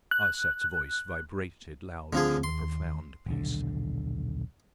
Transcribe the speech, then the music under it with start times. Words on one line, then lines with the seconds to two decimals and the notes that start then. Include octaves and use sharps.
Arsat's voice vibrated loudly in the profound peace.
0.11 F#6
2.13 D2 D3 F3 C4 G#4
2.44 D#2 C6
3.26 D#1 B1 D3